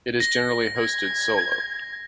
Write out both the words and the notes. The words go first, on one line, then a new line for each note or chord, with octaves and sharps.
It is generally hosted solo.
A#6
G#6